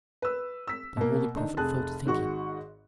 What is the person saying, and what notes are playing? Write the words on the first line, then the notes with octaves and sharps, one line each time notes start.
The holy prophet fell to thinking.
B4 E6
E6 B6
B2 A#3
D3 D#3 D4 D#4
F1 G#4 A5 F#6
G#1 G#2 F#4 C#6